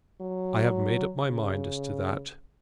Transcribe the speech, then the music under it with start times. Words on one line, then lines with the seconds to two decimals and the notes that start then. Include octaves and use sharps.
I have made up my mind as to that.
0.21 F#3
1.26 C#3